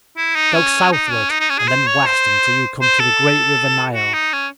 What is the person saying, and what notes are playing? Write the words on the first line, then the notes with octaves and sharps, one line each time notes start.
Go southward and then west until you come to the great river Nile.
E4
D#4
C#4
D#4
C#4
D#4
D#4
C#4
G#4
C5
C#5
C5
C5
A4
F#4
D#4
C#4